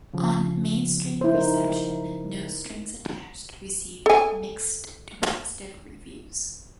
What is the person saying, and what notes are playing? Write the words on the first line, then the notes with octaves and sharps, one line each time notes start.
On mainstream reception, "No Strings Attached" received mixed to positive reviews.
C#3 F3
E4 C5
D#4 A#4
A4 G#5